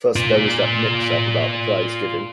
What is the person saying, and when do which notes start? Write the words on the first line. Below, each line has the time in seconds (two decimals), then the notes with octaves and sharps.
First there was that mix-up about the prize-giving.
0.16 F4 D5